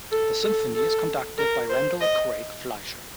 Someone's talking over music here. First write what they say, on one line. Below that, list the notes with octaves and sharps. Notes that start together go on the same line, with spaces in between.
The symphony is conducted by Randall Craig Fleischer.
A4
A4
A4
A#4
C5
D#5